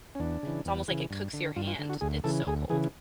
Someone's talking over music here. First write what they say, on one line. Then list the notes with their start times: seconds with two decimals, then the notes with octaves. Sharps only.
it's almost like it cooks your hand, it's so cold.
0.15 C#4
0.20 E2 D4
0.43 C#3 E3
0.65 E2
0.88 C#3 E3
1.10 G2
1.34 D3
1.56 G2 F4
1.67 F4
1.79 D3
1.89 F#4
2.01 D2 G#4
2.24 C#3 E3 A4
2.47 D2 G#4
2.69 C#3 E3 G#4